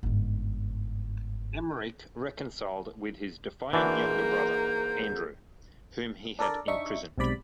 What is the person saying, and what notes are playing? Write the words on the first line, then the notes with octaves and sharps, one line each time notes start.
Emeric reconciled with his defiant younger brother, Andrew, whom he had imprisoned.
G1 G#2
G#2 E3 A#3 D4 F#4 G6
D4 A4 A#4 D5
D4 D#4 E5 C#6
B1 G#2 C3 D5 B5